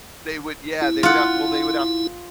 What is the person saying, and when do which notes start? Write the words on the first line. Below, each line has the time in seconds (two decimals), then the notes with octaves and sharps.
They would yeah, they would have well, they would have
0.82 E4
1.03 F4 F#5